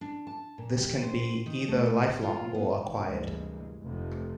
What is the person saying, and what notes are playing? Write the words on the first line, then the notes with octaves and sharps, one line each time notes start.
This can be either lifelong or acquired.
D4
A5
A#2
G4
C5
D#3
A3
F4
B3
D2 G2 C3 E3 G#3 A#3
F1 F2 C3 F3 A3